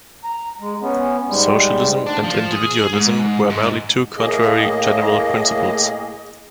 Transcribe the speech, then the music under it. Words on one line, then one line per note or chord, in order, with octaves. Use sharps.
Socialism and individualism are merely two contrary general principles.
A#5
G#3
B3 C#4
G#2 G3 G#3
D4
F3
G#4
G#2
G#2
A2 A#3 G#4 D#5